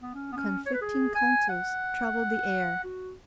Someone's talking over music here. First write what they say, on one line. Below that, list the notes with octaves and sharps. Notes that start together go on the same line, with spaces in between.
Conflicting counsels troubled the air.
B3
C#4
B3
C#4
C#5
B4
G#4
G#5
F#5
F#4